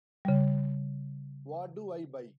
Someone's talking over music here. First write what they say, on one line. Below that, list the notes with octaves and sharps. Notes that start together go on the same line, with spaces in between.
What do I buy?
C#3 G3